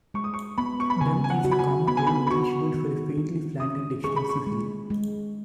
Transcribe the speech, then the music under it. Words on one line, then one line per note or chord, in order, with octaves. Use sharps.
"Dun" is a common Old English word for a fairly flat and extensive hill.
G#3 C#6
D#6
C#6
B3 B5
C#6
B5
C#3 G#5
G#5
F#5
F#4
B5
G#5
B3 B5
G#5
B5
B5
F#4 C#6
D#3
D#3
C#4 D#6
G#4 C#6
B5
C#6
G#3
G#3